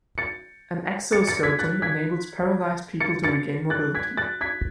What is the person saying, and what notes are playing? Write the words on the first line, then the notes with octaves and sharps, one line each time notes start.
An exo-skeleton enables paralyzed people to regain mobility.
A6 C#7
A6 C#7
A6 C#7
G#6 B6
F#6 A6
G#6 B6
A6 C#7
A6 C#7
F#6 A6
G#6 B6
F#6 A6
G#6 B6